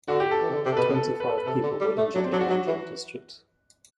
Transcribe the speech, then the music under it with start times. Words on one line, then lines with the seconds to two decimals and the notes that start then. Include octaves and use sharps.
Twenty-five people were injured in Lamjung District.
0.08 D3 F#4
0.20 G4
0.31 A4
0.42 E3
0.50 C3
0.54 D3
0.65 C3
0.72 A4
0.77 B2 B4
0.89 B2
0.95 A4
1.20 B4
1.29 A4
1.38 B4
1.46 C3 A4
1.63 D3
1.80 G3
1.97 A3
2.15 F#3 D4
2.24 C4
2.32 F#3 D4
2.41 F#4
2.50 F#3
2.67 E3